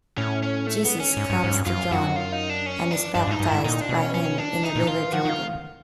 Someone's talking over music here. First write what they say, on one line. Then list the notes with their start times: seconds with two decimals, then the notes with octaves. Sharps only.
Jesus comes to John, and is baptized by him in the river Jordan.
0.17 A2 C#4
0.43 C#4
0.67 A3
0.85 B3
1.00 C#4
1.17 G#2
1.30 G2
1.44 G#2
1.54 G2
1.66 F#2 F4
1.91 F#2 F#4
2.16 F4
2.32 D#4
2.50 D4
2.66 C#4
2.91 D4
3.15 G2 D4
3.27 G#2 D#4
3.40 G2
3.48 G#2 E4
3.64 A#2 D#4
3.81 D4
3.89 B2
3.98 C#4
4.14 C#4
4.38 D4
4.63 D#4
4.75 A#2
4.88 F4
5.12 F3 F#4
5.25 D#3
5.29 F4